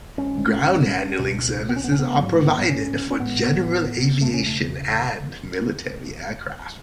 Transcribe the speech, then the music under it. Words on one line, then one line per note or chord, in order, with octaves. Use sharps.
Ground handling services are provided for general aviation and military aircraft.
G#1 G#2 C#4
C#2 B2
B3
C#4
B3
C#4
B3
A1 G#2 F#3
A3
B3
B3
C#4
C#4
A1 A2 B3
E1 D#2 C#3 A3
C#4
A3